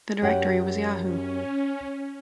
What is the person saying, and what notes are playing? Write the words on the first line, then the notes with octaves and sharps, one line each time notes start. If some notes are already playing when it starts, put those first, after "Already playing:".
The directory was Yahoo!
F#2 G4 F#5
C#4